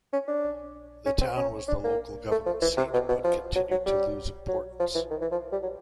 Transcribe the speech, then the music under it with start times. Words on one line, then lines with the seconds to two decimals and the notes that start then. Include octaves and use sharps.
The town was the local government seat but continued to lose importance.
0.13 C#4
0.28 D4
1.06 C#4
1.21 C4
1.37 C#4
1.68 D4
1.84 A#3
2.31 A3
2.46 F3
2.62 E3
2.78 C3
2.93 B2
3.09 B2
3.24 F3
3.56 F#3
3.71 F#3
3.86 G3
4.48 F#3
4.80 F3
4.95 E3
5.11 D#3
5.22 E3
5.32 F3
5.52 G3
5.63 F#3